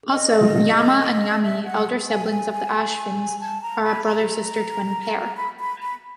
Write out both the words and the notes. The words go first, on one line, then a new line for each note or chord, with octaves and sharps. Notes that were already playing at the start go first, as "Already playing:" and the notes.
Also, Yama and Yami, elder siblings of the Ashvins, are a brother-sister twin pair.
D#5
E5
F#5
G#5
G5
G#5
G#5
A5
A#5
B5
A#5
B5
B5
B5